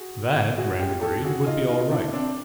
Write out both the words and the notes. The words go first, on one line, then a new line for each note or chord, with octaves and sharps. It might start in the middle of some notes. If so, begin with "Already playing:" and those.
That, Rand agreed, would be all right.
Already playing: F#4 G#4
F#4 G#4
F4 G4
G4 A4
F#4 G#4
D#4 F4
D#4 F4
D4 E4
C4 D4